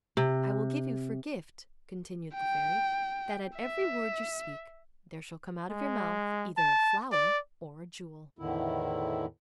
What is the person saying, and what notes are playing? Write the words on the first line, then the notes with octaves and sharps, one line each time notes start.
"I will give you for gift," continued the Fairy, "that at every word you speak, there shall come out of your mouth either a flower, or a jewel."
C3
G5
E5
G#3
A5
D5
E2 A2 D3 D#3 E4